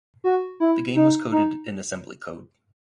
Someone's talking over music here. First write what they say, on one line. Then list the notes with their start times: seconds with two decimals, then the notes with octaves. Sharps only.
The game was coded in assembly code.
0.24 F#4
0.60 E4
0.96 D#4
1.32 D#4